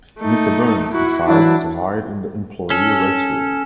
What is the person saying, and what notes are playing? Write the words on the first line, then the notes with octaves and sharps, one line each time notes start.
Mister Burns decides to hide in the employee restroom.
A3 D#4
E4 F#4
E3 F#3 D4 E4
C#4 A4